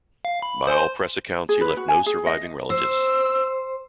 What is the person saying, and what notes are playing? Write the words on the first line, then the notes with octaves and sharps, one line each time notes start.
By all press accounts, he left no surviving relatives.
F5
B5
C5 G#5 C6
G#4
B4
F#4
G#5
G#4
D#5
C5 E6